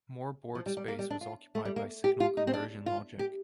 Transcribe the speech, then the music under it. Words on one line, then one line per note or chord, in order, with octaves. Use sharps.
More board space was occupied by signal conversion logic.
F3
G3
G3
A#3
G3
D4
F4
A3
G3
A#3
G4
F4
D#4
C4
D4
F4
G4